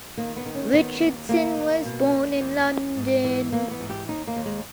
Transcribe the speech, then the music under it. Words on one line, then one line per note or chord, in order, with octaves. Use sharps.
Richardson was born in London.
D#3 A#3
B3
D#3
C#4
D#3 B3
D#2
D#2 A#3
D#2
B2
E2
E2
E2
G#2
E3
E3 A#3
B3
G#2
G4
D#2 D#4
A#3
D#2
G#3